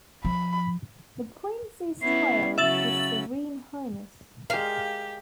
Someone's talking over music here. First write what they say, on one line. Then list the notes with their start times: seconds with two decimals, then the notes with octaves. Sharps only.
The Prince is styled "His Serene Highness".
0.25 F3 B5
2.02 B3 C#4 E4 C7
2.58 C#3 F#3 C#4 E5 A6 F#7
4.50 G#3 G4 A#4 F5